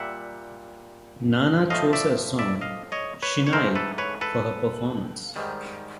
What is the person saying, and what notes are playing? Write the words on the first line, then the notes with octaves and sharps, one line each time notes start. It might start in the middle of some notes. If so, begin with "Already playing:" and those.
Nana chose her song "Shin'ai" for her performance.
Already playing: A#2 G3 E5 F#5
A2 F3 A3 D#5 F5
D5 E5
D5 E5
D#5 F5
C#5 D#5
B4 C#5
C#5
G#2 E3 A3 A#4 C5
A4 B4
B4 C#5
A4 B4
G#2 D#3 G3